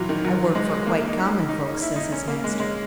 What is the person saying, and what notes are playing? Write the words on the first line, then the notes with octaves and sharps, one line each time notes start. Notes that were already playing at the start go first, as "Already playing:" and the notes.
I work for quite common folks,' says his master.
Already playing: A#2 E3 F#3
D#3
F#3
G#3
A#3
D#4
C#4
D#4
D#4
E4
D#4
C#4
A#3
G#3
G#3